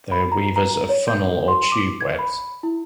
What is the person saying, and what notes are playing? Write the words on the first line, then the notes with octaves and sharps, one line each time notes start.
They are weavers of funnel or tube webs.
B5
A#5
A#5
A#5
C#5
G6
C6
D6
G#6
B5
E4